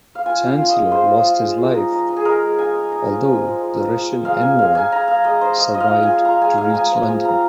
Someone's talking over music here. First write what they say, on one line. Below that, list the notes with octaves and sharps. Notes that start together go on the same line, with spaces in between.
Chancellor lost his life, although the Russian envoy survived to reach London.
F5
F4 G#5
F4
F5
F4
D#5
G#3
G#3 C5
F4
F4
G#3
G#3
D#4
D#4
D#4
G#4
G#3 A#4
G#3
D#4 G#5
D#4
D#4
F3
F3
G#3
G#3
F3
F3
F3
G#3 F5
D#4 G#5
G#3 F5
D#4 G#5
D#4 A#5
G#3 F5
G#3 D#5
D#4 C5
G#3 D#5
F4 D#5
F5
G#3
G#5
F4
F4 A#5
G#3 G#5
G#3 F5
G#3 G#5 A#5
F3 A#5
F4 G#5
C4 A#5